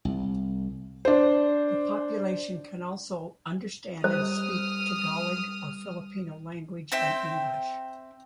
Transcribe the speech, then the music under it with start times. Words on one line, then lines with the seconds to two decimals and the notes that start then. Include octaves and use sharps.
The population can also understand and speak Tagalog or Filipino language and English.
0.05 C2
1.05 D4 C5
4.04 G3 C5 D#6 F6
6.92 C4 E5 G5